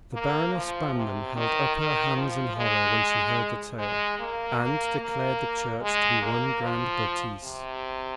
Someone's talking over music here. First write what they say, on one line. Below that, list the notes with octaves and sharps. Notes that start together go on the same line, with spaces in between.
The Baroness Banmann held up her hands in horror when she heard the tale, and declared the Church to be one grand betise.
A#3
F3
C3
D#3
D#3
F3
G#3
G#3
A#3
A#3
A#3
G#3
A#3
F3
C3